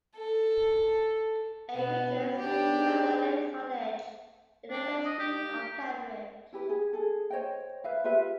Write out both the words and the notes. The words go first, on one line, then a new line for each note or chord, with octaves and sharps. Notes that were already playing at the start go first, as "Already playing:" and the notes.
A. Richards, Magdalene College, University of Cambridge.
A4
B2 B3
D#3 B3 D4 G4 C#5
D#4 G#4
D4
D#5
G4
E4 G4 B4
G#4
G#4 A4
C5 C#5 D#5 G5
B4 E5 F5
F4 G4 B4 E5